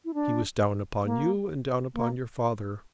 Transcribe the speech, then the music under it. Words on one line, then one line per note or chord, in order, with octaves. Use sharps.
He was down upon you and down upon your father.
E4
D4
A#3
A#3